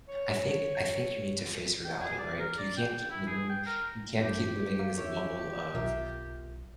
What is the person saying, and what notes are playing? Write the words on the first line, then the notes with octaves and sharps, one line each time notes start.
I think I think you need to face reality, right? You can't keep living you can't keep living in this bubble of,
C#5
G5
G#4
D5
A#4
D5
G5
G5
E4
G#4
G5
A#4
G2 G4
A#3
D#3 E4 C#5
B1 F4 A#4 E5